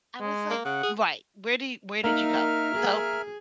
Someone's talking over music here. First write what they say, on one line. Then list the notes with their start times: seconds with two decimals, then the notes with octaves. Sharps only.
I was like Right, where did yo where did you go? So,
0.20 G#3
0.50 A#3
0.65 C#3 F#5
0.83 G#4
2.04 A#3 D#4 A#4 E5 F6
2.75 G#4